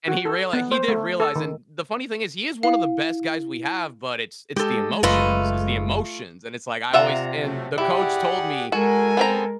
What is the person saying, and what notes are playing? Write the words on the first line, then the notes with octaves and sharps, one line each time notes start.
and he reali he did realize, and the funny thing is he is one of the best guys we have, but it's it's the emotions, it's the emotions. And it's like I always and the coach told me,
F#4
A4
B3
C5
A3
A4
D#3
E4 F5
G#3 G4 A4
F#1 A3 F4 A4 B4 D#5
C3 F4 D5 E5 F#5 A#5
F3 F#3 A3
E4 G4 G#4 D5 F#5
G#3 F#4 A4 A#4 G#5
B3 C4 A#5